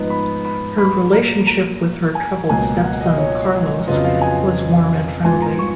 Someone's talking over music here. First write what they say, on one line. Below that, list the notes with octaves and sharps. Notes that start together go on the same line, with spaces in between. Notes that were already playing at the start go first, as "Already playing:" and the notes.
Her relationship with her troubled stepson Carlos was warm and friendly.
Already playing: G#2 F3 B3 D#4
B5
B5
B5
A#2 F#3 A#3 A#5
A#5
G#5
C#2 B2 F#3 A#3 G#5
F#5
D#5
C#5
F2 C#3 F#3 B3 F4 D#5
F5
G#5
G#2 F3 B3 F4 G#5
A#5
C#6